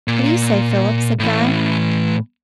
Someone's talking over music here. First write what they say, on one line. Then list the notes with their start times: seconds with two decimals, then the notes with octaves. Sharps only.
'What do you say, Philip?' said Guy.
0.08 A#2
1.19 A2 E3